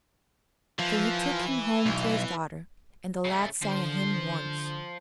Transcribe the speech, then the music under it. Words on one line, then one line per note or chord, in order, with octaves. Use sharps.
So he took him home to his daughter, and the lad sang a hymn once.
E3 F3
B1
C#3 A3
D3 F3 C5
D3